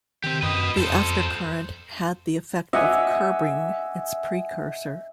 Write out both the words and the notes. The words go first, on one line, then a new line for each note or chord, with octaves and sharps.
The "aftercurrent" had the effect of "curbing" its precursor.
D#3 C4 G4
F#2 B4 D#5
F2 A4 C5
D#5 E5 F#5 G#5 D6